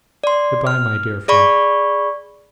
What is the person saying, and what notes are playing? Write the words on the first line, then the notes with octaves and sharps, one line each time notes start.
Good-bye, my dear friend.
D5 C6
F6
G#4 D5 B5 C#6